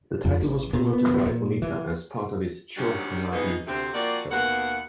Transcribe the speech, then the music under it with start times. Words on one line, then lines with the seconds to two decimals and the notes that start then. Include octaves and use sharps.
The title was promoted by Onita as part of his Cho Hanabi shows.
0.25 F2
0.42 A1
0.73 A#2
0.93 B3
1.26 A#2
1.62 E3
2.77 D#3 F#3 G3 C#4 D4
3.31 B2 E3 G#3 B3 C4 D#4
3.67 D2 C3 C4
3.94 F3 A#3 C4 F#4 D5
4.31 D#2 B2 A#3 F#5